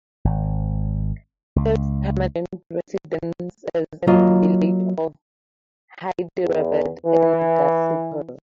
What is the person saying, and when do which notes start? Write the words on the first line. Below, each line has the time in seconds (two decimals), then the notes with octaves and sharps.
His permanent residence is in the village of Hyderabad in Gazipur.
0.25 G#1
1.56 C#2
4.07 F#3 A#3 F4 D#5
6.44 E2
7.06 E3